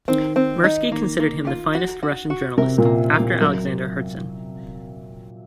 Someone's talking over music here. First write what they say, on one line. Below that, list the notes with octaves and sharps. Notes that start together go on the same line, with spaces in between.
Mirsky considered him the finest Russian journalist, after Alexander Herzen.
D#3 C4
C4
D#4
D#3 A#3
A#3
F4
F#4
F#4
F#4
C3 A#4
A#2
A#3
A#3
A#2
F#3 A#4